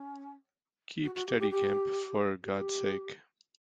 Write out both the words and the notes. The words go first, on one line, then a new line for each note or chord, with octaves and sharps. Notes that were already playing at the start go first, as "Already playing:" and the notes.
Keep steady, Kemp, for God's sake!
Already playing: C#4
F#4
F#4
G4
G4
G4
G4